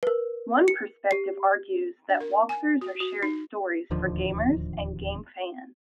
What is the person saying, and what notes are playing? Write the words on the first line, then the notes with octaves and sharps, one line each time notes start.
One perspective argues that walkthroughs are shared stories for gamers and game fans.
A#4 B4
C#7
G4 C7
D4
A#4
G#5
F#4
F#4
D#4
D1 D#2 D3 F3